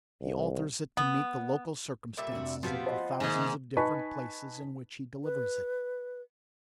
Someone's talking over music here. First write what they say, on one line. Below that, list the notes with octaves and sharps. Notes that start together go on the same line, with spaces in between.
He alters it to meet the local circumstances of the thousands of different places in which he delivers it.
C2
B3
A#2 G3 E5
F1 D4 F#4
F3 B3 C4 F#4 G4 F5
C5 D#5 F#5
G#2 B2 D#3 A#3 E4 G#4
D#4 B4 G#5 A5 B5 C#6
B4